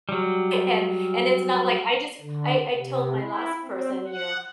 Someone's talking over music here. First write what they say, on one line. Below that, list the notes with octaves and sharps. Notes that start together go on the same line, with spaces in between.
And and it's not like, I just I I told my last person, you know,
F#3 G3
D3
C3
E4
C4
F#5